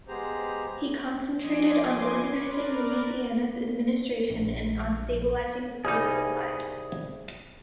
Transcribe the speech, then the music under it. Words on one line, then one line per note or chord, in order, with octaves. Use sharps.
He concentrated on organizing Louisiana's administration and on stabilizing the food supply.
G#3 B3 G4 G#4 C5 A#5
F3 D#5 G#5 C6 D6 G#6
A#4 B4 D5
A#1
C2 G3 D#4 G#4